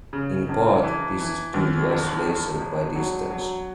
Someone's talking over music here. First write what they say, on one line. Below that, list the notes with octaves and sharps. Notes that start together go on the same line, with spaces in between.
In part this is due to isolation by distance.
C#3
E1
E3
E3
D#2
E1
E1
E1
F#3
F#3